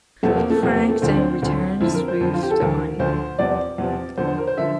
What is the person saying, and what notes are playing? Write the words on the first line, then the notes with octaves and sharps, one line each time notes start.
Frank then returns with the money.
E2 C3 F3 A3
A#3
A3
E2 C3 F3 C4
A#3
A3
D2 D3 F3 C4
D4
C4
D2 D3 F3
F2 D3 F3 E4
A#4
C5
F2 D3 F3
F4
G4
A4
D2 D3 F3 A#4
D2 D3 F3 C5
E2 C3 F3 D5
E2 C3 F3
E2 D3 F3 C5
C5
A#4
C5
D3 F3 E5